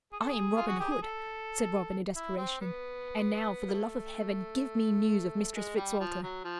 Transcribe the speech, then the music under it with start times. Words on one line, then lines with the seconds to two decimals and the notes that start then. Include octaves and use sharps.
"I am Robin Hood," said Robin, in desperation, "and now, for the love of Heaven, give me news of Mistress Fitzwalter."
0.12 G#4
0.20 A4
0.29 G#4
0.56 F4
0.67 F#4
0.80 G4
0.91 G#4
1.03 A4
2.16 E4
2.37 C4
2.61 B3
3.68 A#3
3.73 A3
5.55 G#3
5.77 G3
6.00 F3
6.23 F#3
6.45 F3